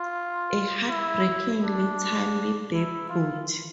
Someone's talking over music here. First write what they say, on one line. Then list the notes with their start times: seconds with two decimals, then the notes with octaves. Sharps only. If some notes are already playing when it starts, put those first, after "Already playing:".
A heartbreakingly timely debut.
Already playing: F4
0.89 E4
1.63 D4
2.73 E4
3.09 F4